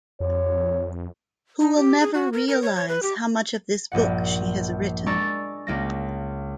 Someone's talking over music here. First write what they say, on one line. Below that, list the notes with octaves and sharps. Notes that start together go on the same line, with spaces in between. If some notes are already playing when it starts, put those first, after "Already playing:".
Who will never realize how much of this book she has written.
F2 C#5
D#4
G4
G#4
F#4
A#4
A#4
C#5
C#5
B4
G4
A#1 G2 F#5
G#3 D4 A#5 C#6 E6 A6
C#2 A#3 A#6